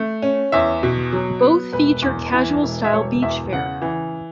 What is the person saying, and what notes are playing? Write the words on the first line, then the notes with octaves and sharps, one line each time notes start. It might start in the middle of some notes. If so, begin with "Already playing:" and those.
Both feature "casual style beach fare".
Already playing: A3
C#4
E2 E5
B2
F#3
B3
E1 B4
E2
E3
E1
E5
E1 C#5
E2 E5
C#3 F#5
E3